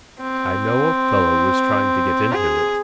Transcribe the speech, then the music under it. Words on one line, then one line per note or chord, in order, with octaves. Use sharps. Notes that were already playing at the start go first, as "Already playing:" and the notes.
I know a fellow was trying to get into it.
C4
G#4